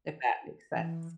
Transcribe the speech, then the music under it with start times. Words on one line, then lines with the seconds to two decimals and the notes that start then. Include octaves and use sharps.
If that makes sense.
0.72 E3